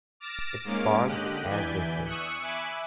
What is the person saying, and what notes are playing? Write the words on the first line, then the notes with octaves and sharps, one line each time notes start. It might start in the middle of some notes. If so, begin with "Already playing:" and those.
It sparked everything.
D6 F6 A6 A#6 E7
G#2 G#3 A#3 C#4 D6 F6
D3 G4 D#5 F#6
E2 E3 D5 G#5 G6 B6
C#6 D#6 E6 F#6 C#7
E5 G#5 B5 D6 F#6